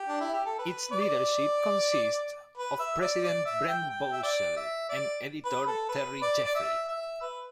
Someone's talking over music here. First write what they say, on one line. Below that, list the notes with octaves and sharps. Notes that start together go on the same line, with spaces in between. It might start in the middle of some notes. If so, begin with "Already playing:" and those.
Its leadership consists of president Brent Bozell and editor Terry Jeffrey.
Already playing: G4
D4
E4
G4
A4
B4
D5
B4
E5
D5
D5
E5
G5
G5
E5
D5
E5
D5
B4
A4
B4
D5
D5
E5
E5
B4